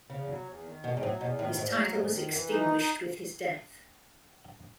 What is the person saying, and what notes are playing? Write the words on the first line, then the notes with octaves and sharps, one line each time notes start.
His title was extinguished with his death.
E2 C#3
F#3
E2
D#3
E2 B2
G#2
A2 F#3
E2 B2
A2 D#3
A2
E2 G#2
F#3
E2 G#2
D#3
F#2 E3
D#4